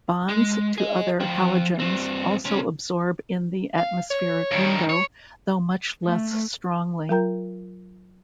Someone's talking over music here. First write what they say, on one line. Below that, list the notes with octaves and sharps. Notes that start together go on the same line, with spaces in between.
Bonds to other halogens also absorb in the atmospheric window, though much less strongly.
G#3
G#4 D#5
F3 G5
G2 C4
C3 C#4
F5
C#5
G2 D#3
C#5
A3
F#3 F4 A#4 G5 A#5 G6